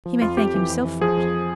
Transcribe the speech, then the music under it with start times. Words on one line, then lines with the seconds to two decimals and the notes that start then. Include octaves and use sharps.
"He may thank himself for it."
0.06 F3
0.22 F2 F4
0.37 F2 G4
0.54 E3
0.69 F2
0.85 E3
1.01 F3 G#4
1.17 F2